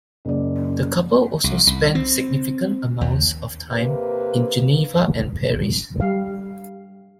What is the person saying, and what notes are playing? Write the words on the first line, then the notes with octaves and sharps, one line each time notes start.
The couple also spent significant amounts of time in Geneva and Paris.
F#1 D5
C2
C2
C4
D#2
C3 A#3 B4
G3 F5